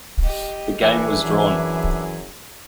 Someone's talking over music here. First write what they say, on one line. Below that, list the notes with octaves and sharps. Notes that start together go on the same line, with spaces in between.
The game was drawn.
G4 D#5
E3 D4 E4 G#4 E5
F#2 E3